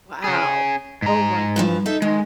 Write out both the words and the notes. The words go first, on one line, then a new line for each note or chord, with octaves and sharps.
Wow. Oh my good
C#4 G#4
G#2 A#5
G2 E3 F3
D#4 A4 E5
D#3 G#3